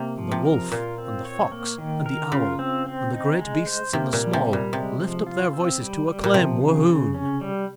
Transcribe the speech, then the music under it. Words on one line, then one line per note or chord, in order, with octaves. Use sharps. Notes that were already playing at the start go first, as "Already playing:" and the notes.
And the wolf and the fox and the owl, and the great beasts and the small, lift up their voices to acclaim Wohoon.
Already playing: C3 A#3
F3
C3
A#4
A#2 F4
C4
C#5
A#3
D#3
A#4
C#3 F4
C4
C4
D#4
G#3
C5
C3 A#3
A#2
G3
C3
G3
A#2
C3 G#3
F3
F4
C4
G3
G3
A#2
C3 F3
C#3
C#3
C#4
G3